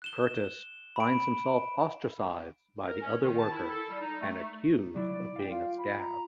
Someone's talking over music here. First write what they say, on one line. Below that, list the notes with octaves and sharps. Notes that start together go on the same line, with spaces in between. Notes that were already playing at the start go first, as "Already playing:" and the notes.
Curtis finds himself ostracised by the other workers and accused of being a scab.
F#6 E7 G7
B5 D7
A#4
C#4
D#3
A5
E4
A4
G3
D#4
A3
A3
C2 F#3 E4 D5
F5 G5
F4 F5
B5
A#5